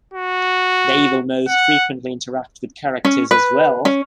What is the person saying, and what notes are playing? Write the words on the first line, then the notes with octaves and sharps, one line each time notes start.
They will most frequently interact with characters as well.
F#4
F#5
C#4
B4
C#4